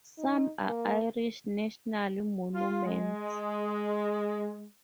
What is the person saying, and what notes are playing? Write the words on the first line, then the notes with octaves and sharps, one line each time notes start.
Some are Irish national monuments.
D#4
A#3
F4
G#3